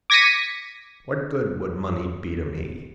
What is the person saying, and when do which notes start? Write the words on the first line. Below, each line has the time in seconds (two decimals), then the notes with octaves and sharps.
What good would money be to me?
0.10 D6 G#6 A#6 B6 C#7 D#7